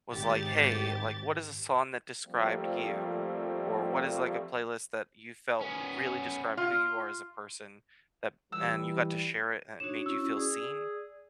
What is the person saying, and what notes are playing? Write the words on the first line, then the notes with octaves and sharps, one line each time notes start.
was like, "hey, like what is a song that described you, or what is like a playlist that you felt really described who you are as a person," that and you got to share it and it made you feel seen?
G#1 G#2 G4 A6
F3 G3 A3 A#3 C4
B3 C#4
F4
E3 G3 E6
D4 D#4 F#4 C#5 E7
C#4 E4 F#4 E6
G#4 D5